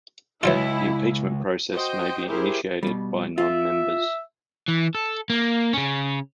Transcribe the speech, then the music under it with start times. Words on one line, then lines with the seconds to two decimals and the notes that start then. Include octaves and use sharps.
The impeachment process may be initiated by non-members.
0.43 C#2 E3 F#3 E4 F4
1.72 F#4 C5 D#5 G5
2.28 E4 G4 G#4 A#4 C5
2.83 B2 G3
3.38 F4 E5
4.68 E3
4.95 A4
5.30 A#3
5.73 C#3 C#4